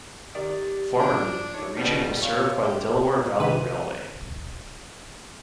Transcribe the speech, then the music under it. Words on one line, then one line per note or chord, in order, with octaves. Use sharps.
Formerly, the region was served by the Delaware Valley Railway.
D#3 G4 D5
F3 D4
D#4 C#5
B2 F3 G3 B4
C#5 F5
G4 G#4
A#1 C3 D#3 E3 B4 D#7